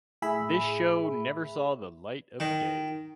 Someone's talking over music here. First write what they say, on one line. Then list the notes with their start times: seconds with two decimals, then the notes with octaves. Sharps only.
This show never saw the light of day.
0.22 A2 G#4 E5 B5
2.40 D#3